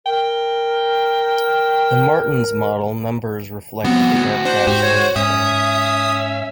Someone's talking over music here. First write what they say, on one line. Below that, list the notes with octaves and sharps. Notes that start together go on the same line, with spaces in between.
The Martin's model numbers reflected the aircraft's wingspan.
A#4 G5
F3 G3 B3 C4 F#4
D2 A2
D4 C5
G#2 F#4 G4
C#5
G#2 C#4 E5 D#6